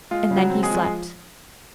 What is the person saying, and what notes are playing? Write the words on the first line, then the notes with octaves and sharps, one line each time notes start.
And then he slept.
G#3 F4
C#3
F#3 F#4
C4
G#3 G#4
F3